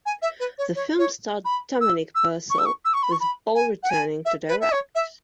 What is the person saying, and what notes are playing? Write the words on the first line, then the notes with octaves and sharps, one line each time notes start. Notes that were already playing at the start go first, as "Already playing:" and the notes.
The film starred Dominic Purcell, with Boll returning to direct.
G#5
E5
B4
C#5
C#5
C#5
B5
E6
E6
C#6
E6
C#6
E6
C#6
B5
C#6
B5
G#5
F#5
G#5
E5
B4
E5
C#5
E5